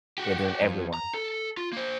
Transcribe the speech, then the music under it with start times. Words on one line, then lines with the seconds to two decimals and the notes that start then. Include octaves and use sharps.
you're doing everyone
0.18 F#4 G4
0.61 F2
0.94 A#5
1.14 A4
1.57 F4
1.73 A#3 C5